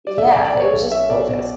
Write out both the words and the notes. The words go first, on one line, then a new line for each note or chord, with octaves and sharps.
yeah, it was just gorgeous.
D5
B1 E5
B1 D5
D5
B2
C#5
B1
C#4 E5
B2 D5
B2